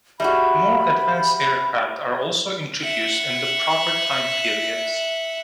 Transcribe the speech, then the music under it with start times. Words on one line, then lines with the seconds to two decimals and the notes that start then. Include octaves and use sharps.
More advanced aircraft are also introduced in the proper time periods.
0.20 G3 G#3 F#4 E5 B5
2.81 E5 F#5